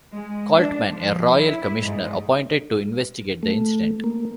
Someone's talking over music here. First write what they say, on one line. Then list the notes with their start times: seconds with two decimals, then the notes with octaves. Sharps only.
Coltman, a Royal Commissioner appointed to investigate the incident.
0.15 G#3
0.54 D4
0.88 F3
1.32 E4
1.82 G#2
3.43 A3
4.04 A#3